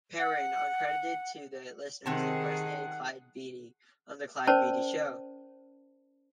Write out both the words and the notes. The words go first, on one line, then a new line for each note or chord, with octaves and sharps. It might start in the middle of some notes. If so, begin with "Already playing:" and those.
Perrin, uncredited to the listeners, impersonated Clyde Beatty on The "Clyde Beatty Show".
F#5
C3 D#3 C4 G#4 F#5 A5
C#4 A#4 C5 D5 A5